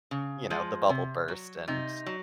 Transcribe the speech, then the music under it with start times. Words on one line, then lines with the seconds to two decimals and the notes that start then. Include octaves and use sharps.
you know, the bubble burst and
0.11 C#3
0.50 F3 G#3
0.89 C3
1.28 F#3
1.68 C3 D#4
2.06 F#3